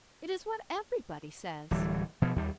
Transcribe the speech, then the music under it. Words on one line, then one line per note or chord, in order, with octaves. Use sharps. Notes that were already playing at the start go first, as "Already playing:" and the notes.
It is what everybody says.
D1 E3 G3
B2 F3
D#2 G3